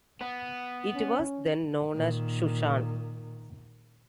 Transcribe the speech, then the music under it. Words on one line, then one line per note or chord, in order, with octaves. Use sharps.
It was then known as Shushan.
B3
C#4
A#2 D#3